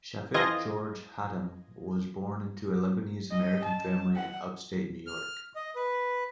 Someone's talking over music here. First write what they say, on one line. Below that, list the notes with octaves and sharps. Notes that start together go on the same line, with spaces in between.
Shafick George Hatem was born into a Lebanese-American family in upstate New York.
F2 E3 F4 D#5 G#6 A#6
D#5
A5
F#5
F6
D#5
B4